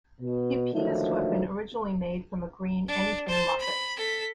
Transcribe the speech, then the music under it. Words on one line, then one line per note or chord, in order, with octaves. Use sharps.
He appears to have been originally made from a green Anything Muppet.
B2
D3 D#3 F3 F#3 A3 A#3
D4
C5 A5
B5
A4 B6